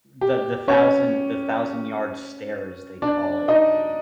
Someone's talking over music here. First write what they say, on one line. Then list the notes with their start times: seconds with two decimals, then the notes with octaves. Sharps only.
the the thousand the thousand-yard stare, as they call it.
0.21 G4
0.68 C#4 C#5
3.02 D4 D5
3.48 D#4 D#5